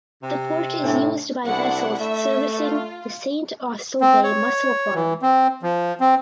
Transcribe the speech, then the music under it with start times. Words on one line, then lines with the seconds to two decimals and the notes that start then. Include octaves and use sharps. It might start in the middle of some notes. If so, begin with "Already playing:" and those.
The port is used by vessels servicing the St Austell Bay Mussel Farm.
0.23 C3
0.84 A2 D4 E5
1.45 C2 D4 E4 F#5
2.00 A3 E5
2.60 F4
4.01 C4
4.23 C#5
4.94 E3
5.22 C4
5.63 F3
6.00 C4